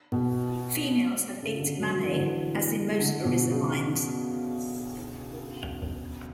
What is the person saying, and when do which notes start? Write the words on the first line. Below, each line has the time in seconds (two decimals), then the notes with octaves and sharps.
Females have eight mammae, as in most oryzomyines.
0.12 B2
1.42 C#3
1.59 D3
1.77 F#3
1.94 F#3
2.03 E3
2.12 D3
2.20 E3
2.99 D3
3.25 B2
3.51 C#3